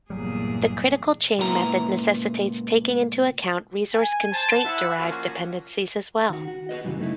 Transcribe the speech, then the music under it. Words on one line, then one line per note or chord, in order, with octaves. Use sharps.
The critical chain method necessitates taking into account resource constraint-derived dependencies as well.
G1 E2 A#2 F#3 G3 G#4
C#2 A#2 B3 E4 G4 A#5
G#5
C5 A5
E4 E5 F#5
F3 A#3 C#4 F4 F#4
D#3 F#4
F#4
F#4 A4 B4 D#5
F#2 C#3 E3 G3
A3 D#4 E4